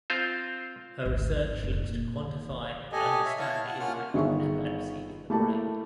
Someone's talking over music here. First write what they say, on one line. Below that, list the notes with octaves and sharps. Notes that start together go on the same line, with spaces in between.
Her research looks to quantify and understand the impact of epilepsy in the brain.
C4 F4 C5
G#1 D2
F2
F1
F2 A#2
D#3
E3
G4 A4 D#5 G#5
C#5 E5
E4 C#5 F5 A5 C#6
F#5 A5
A#3 C#4 F4 F#5 F6
G1 D#3 G#4 E5 C#6
A3 A#3 E4 G4 A4 A5